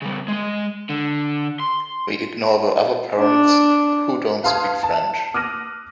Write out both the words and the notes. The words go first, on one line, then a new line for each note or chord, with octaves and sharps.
We ignore the other parents who don’t speak French.
C#3 G3
G#3 D#5
D3
C6
D4
B4 F5 A5 C6 D#6 G#6
A5
D6 D#6 F6 F#6 A#6 D#7